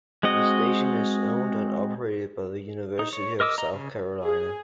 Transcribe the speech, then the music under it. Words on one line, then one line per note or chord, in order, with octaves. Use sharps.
The station is owned and operated by the University of South Carolina.
G#3 C4 F#4 D#5
D#4
C#5
A#4 D#5 D6 E6
D#5 A#5
C#3
G#4